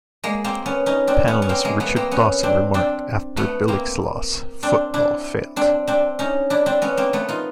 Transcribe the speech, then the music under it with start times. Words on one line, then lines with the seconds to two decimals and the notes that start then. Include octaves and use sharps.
Panelist Richard Dawson remarked after Billick's loss: Football: Failed.
0.24 G#3 A#3
0.44 A#3 C4
0.66 B3 C#4
0.86 C#4 D#4
1.07 C4 D4
1.28 B3 C#4
1.42 C#4
1.49 A#3 C4
1.65 G#3 A#3
1.80 A3 B3
1.96 A#3 C4
2.11 B3 C#4
2.43 C4 D4
2.74 C4 D4
3.37 A3 B3
3.68 A#3 C4
4.63 C4 D4
4.94 D4 E4
5.56 C4 D4
5.87 C4 D4
6.19 C#4 D#4
6.50 D4 E4
6.66 C4 D4
6.82 B3 C#4
6.97 A#3 C4
7.13 A3 B3
7.29 D#4 F4